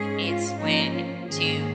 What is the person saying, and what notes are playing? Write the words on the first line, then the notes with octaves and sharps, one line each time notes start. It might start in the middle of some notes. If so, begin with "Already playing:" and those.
It's when to
Already playing: G#2 G#3 C#4 G#4
F4
G#2 F3 A#3 C#4 D#4
F4
G#2 D#3 A#3 C#4 G#4